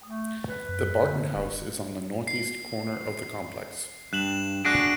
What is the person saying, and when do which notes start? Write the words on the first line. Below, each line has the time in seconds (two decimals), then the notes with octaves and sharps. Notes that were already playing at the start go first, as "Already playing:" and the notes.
The Barton House is on the north east corner of the complex.
0.05 A3
0.46 B4
0.69 F#2
1.05 D3
1.36 D#1
2.27 C7
4.13 G2 F#6 E7 F#7
4.65 D4 F#4 G#4 F#6 A#6 D7